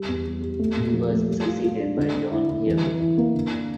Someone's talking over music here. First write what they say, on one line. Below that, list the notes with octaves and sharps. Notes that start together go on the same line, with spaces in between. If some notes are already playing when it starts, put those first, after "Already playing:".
He was succeeded by John Healey.
Already playing: G3
E2
G3
G3
A3
A#2
F3
A3
G3
F4
F4
D4
D3
D3
E4
E4
E3
E3
E4
A#3
D3
D4